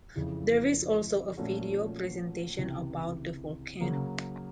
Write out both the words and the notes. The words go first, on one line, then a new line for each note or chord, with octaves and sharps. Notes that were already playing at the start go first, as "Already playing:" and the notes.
There is also a video presentation about the volcano.
F2 C#3 E3
A#2 F3 A3 C#4 F#4
C#2 C3 E3
C#3 F#3 A#3